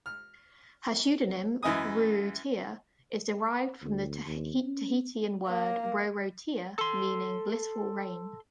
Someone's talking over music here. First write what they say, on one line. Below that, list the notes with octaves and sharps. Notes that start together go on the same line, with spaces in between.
Her pseudonym, Rurutia, is derived from the Tahitian word 'rorotea' meaning "blissful rain".
F6
F#2 E3 D#5 G#5 D#6
D2
D#2
C#4
A#3
A4 C6